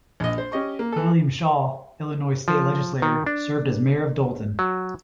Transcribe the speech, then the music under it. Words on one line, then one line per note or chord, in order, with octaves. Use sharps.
William Shaw, Illinois state legislator, served as mayor of Dolton.
A#1 D#5
C5
C#4 G4 D#5 C#6
A#3
E3 A4
F3
D#3
D4
F#3